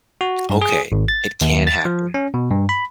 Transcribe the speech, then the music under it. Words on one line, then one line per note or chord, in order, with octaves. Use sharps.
Okay. It can happen.
F#4
G2
G#4
G#1
A6
D#2
A6
F3
C#4
B2
G2
B5